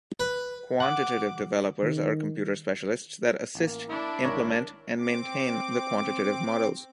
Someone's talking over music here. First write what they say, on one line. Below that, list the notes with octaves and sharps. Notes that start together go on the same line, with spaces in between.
Quantitative developers are computer specialists that assist, implement and maintain the quantitative models.
B4
F#5 D6
D#3
A1 A#3
D4 E4
G#1 A#4 C#5 A#5
C4 D6